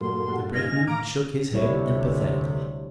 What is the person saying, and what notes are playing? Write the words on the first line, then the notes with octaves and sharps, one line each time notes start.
The Brakeman shook his head emphatically.
G2 A#2 F#3 A3 A#3 C6
G3 F#4 A4
D#4 F5 G#5 A#6
A2 F5 A#5 D6
D2 C3 G3 E4 C#5